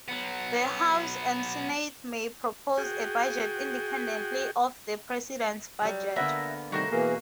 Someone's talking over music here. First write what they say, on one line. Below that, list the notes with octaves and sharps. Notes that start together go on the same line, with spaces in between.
The House and Senate may propose a budget independently of the President's budget.
F#3 B3
F#4 G#4 G5
F#3 G3
D3 A#3 B3 A#4 E5 F#5
C3 D#3 G3 A3 F#4 A#4 C5
B2 E3 A#3 G#4